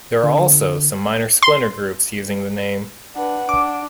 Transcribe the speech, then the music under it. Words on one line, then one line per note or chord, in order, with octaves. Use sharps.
There are also some minor splinter groups using the name.
D3
C6
D4 B4 F#5
D4 D6